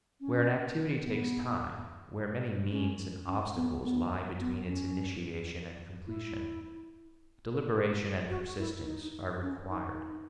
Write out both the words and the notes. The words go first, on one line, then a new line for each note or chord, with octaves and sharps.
Where an activity takes time, where many means and obstacles lie between its initiation and completion, deliberation and persistence are required.
C#4
B3
C#4
C#4
B3
B3
B3
C#4
E4
F#4
E4
D#4
C#4
D#4